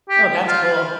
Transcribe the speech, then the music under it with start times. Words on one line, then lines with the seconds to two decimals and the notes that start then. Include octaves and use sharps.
Oh, that's cool.
0.09 G4
0.48 F4